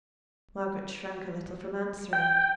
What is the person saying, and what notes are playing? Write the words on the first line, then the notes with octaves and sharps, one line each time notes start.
Margaret shrank a little from answering.
G5